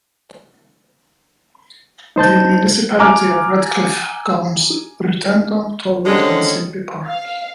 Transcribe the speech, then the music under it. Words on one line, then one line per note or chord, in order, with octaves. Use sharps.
The municipality of Redcliff governs Rutendo, Torwood and Simbi Park.
D#4 C5 A5 G6
G#5 A#5 D6 F6 F#6
D3 D#3 F3 F#3 G#3 C#4
F5